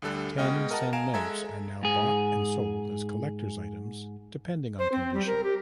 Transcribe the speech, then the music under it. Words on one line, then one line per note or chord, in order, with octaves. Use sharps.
Ten sen notes are now bought and sold as collectors items depending on condition.
D2 D3 G3 A4 F#6
B2 G#3 D#5 G5 F6
A#4 D#5 F#5 A5 A#5
F5 G#5 A#5 D7 E7
G#3 A4 E5 A#5 G#6
G#2 G#4
C5
C4
G3
A#4
G4